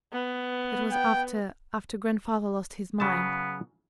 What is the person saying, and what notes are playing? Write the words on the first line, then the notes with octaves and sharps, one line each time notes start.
That was after--after grandfather lost his mind.
B3
G5
C#3 F#3 B3 A5